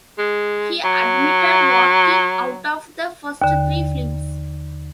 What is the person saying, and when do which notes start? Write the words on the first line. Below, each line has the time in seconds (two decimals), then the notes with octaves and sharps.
He admitted walking out of the first three films.
0.18 G#3
0.84 F#3
3.42 D#2 D3